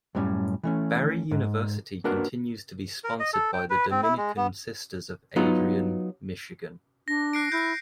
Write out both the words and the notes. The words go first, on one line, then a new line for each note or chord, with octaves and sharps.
Barry University continues to be sponsored by the Dominican Sisters of Adrian, Michigan.
F#2 A2 G3 C#4
E3 A3 C#4
G#2
A#3 B3 D4 F#4 A#4
A#4
D#5
A4
G5
B4
C4
E4
G#3
B3
F#3 B3 D#4 F4
D4 A#6
F#6 C7 D7
E4 G6